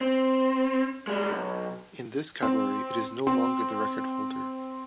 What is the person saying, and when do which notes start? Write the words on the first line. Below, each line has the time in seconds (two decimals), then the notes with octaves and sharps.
In this category it is no longer the record-holder.
0.01 C4
1.07 G3 G#3
1.30 B1
2.42 C4
3.27 C4